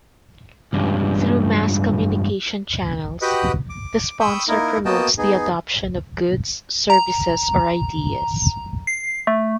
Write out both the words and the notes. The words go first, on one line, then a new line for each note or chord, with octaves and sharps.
Through mass communication channels, the sponsor promotes the adoption of goods, services or ideas.
C#2 G2
F#4 G4 B4 D#5 F#5 G5
D6
G5 B5 C#6 D#6 E6 G6
A#3 D#4 E4 A#4
A#3 B3 F#4 D#5 G5 A5
B3 D#4 G#4
A#5
C7
A3